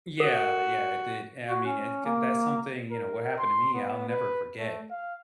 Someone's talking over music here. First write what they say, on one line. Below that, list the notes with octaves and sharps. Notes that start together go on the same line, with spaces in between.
Yeah, yeah, it did, I mean, it c that's something, you know, what happened to me, I'll never forget,
F#4 A4 A#4
F#4
C#4
A#3
A#4
C6
B3
B4
A3
F5